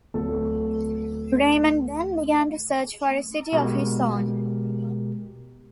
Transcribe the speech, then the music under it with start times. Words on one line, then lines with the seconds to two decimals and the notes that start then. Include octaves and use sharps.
Raymond then began to search for a city of his own.
0.14 D1 A4
3.53 B2 G#3 G4 A#4